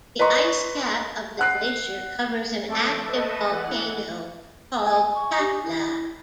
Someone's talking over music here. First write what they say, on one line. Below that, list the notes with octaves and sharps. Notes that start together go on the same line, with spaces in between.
The icecap of the glacier covers an active volcano called Katla.
B4 D#5 A#5 C6 C#6
F#5 F#6 C7
F2 A3 A4 A5 D6
A3 A4 B4 D#5
E3 F#5 F#6
G#5
C#6
G4
E4